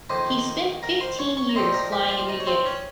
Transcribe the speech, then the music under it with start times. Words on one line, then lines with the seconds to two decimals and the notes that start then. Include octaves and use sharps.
He spent fifteen years flying in New Guinea.
0.10 F2 D#3 A#3 D#4 C5 C6
0.83 A#4 A#5
1.01 C5 C6
1.19 C#5 C#6
1.37 C#5 C#6
1.49 A#5
1.56 A#2 F3 C4 D#4 C5 C6
1.74 A#4 A#5
1.92 G4 G5
2.11 F4 F5
2.29 D#4 D#5
2.40 C#5
2.47 C4 C5
2.65 C#4 C#5